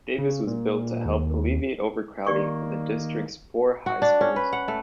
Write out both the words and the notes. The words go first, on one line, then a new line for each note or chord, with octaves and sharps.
Davis was built to help alleviate overcrowding at the district's four high schools.
C#3
A#2
D#2
D#3 A#3 G4 D5 C#6
F#4
D4
C#4
B4
F#5
A3